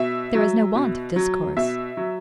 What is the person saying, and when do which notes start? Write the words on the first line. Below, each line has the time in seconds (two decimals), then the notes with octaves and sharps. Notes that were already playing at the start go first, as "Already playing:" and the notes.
There was no want of discourse.
Already playing: B2 E5
0.35 F#3
0.76 B2
1.16 F#3
1.57 B2 E5
1.97 F#3